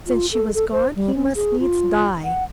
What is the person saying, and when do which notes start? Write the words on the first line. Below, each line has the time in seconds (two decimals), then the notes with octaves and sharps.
Since she was gone, he must needs die.
0.07 F4
0.32 A4
0.55 A4
0.72 C5
0.96 G3
1.15 C#4
1.35 G#4
1.60 F4
2.24 F#5